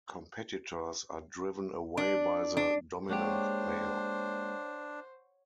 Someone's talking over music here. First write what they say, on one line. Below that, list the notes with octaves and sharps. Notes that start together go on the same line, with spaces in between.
Competitors are driven away by the dominant male.
D4
D4
G#3 A#3 D4 G4 C5 C#5 F#5